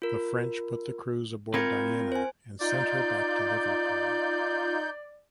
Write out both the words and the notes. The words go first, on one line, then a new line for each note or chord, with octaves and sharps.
The French put the crews aboard "Diana" and sent her back to Liverpool.
F4 A#4
C4 F4 A#4 B5 G#6 C#7
C5 G#5
D#4 F4 D5 G6